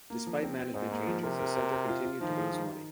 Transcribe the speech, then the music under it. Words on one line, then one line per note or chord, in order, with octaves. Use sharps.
Despite management changes, the center continued to lose money.
A#3
F3
C4
C4
G#2 D#4
A#3
F3
C3 A#4
A#4
A#4
A#4
F4
F4
D#3 F3
G#4
D#3
D#3